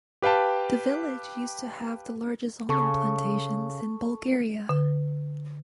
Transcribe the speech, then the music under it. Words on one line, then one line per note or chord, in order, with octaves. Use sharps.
The village used to have the largest almond plantations in Bulgaria.
G4 B4 F5 G5 A5
C#3 A4 A5 C#6
D3